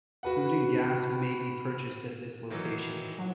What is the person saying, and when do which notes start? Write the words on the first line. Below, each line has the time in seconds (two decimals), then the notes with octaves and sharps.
Food and gas may be purchased at this location.
0.23 F#4 B4 F#5
2.50 D#3 E3 F#3
3.18 F#3